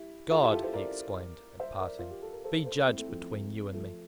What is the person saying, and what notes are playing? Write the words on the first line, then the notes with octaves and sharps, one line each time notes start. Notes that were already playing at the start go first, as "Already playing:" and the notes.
"God," he exclaimed, at parting, "be judge between you and me!"
Already playing: E4 G4
F4 A4
E4 G4
F4 A4
A4 C5
A#4 D5
C5 E5
A#4 D5
F4
G4
A4
A#4
A4 C5
A4 C5
C4 E4
A3 C4
F3 A3
F3 A3